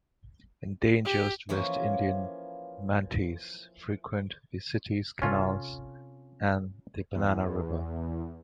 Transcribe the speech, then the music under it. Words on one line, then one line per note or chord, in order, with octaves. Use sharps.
Endangered West Indian manatees frequent the city's canals and the Banana River.
G4
E3 F3 A#3 C#4
C3 C#4 F4 A4
E2